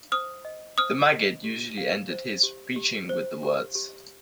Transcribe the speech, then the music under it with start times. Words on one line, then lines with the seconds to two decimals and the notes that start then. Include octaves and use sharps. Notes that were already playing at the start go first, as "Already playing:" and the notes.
The maggid usually ended his preaching with the words.
0.12 C5 D#6 F6
0.45 D#5
0.78 C5 D#6 F6
1.11 D#5
1.44 G4
1.78 F5
2.10 C5
2.43 G4
2.76 G4
3.09 C5
3.43 G4
3.75 G4